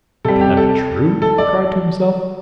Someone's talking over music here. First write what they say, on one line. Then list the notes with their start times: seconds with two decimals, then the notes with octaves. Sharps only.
"But can that be true?" he cried to himself.
0.25 C3 G3 A4
0.41 G4
0.57 A4
1.22 A4
1.38 D5